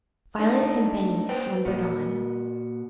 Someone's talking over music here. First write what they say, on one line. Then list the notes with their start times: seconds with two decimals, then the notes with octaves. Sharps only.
Violet and Benny slumbered on.
0.39 A3 D4 D#4
1.29 B4 C5 G5
1.65 A#2 F#4